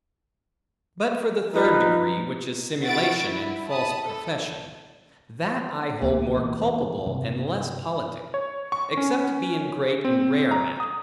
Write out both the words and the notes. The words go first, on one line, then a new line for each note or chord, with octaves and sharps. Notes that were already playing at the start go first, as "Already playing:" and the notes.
But for the third degree, which is simulation, and false profession; that I hold more culpable, and less politic; except it be in great and rare matters.
F3 D#4 B4
E4 F#4 A6 D7
E4
A5 B5 D#6
A4
D2 D3 A#3
E2 A#2
G2 C3 D#3
C#5
C#6
C#4
C4
A#5
D#6